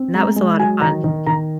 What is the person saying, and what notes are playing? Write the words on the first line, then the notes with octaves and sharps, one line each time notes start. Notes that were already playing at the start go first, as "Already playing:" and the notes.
and that was a lot of fun.
Already playing: C4
G#3 A#5
G#3
F#3 G#5
D#3 A#5
D#3
D#3 A#5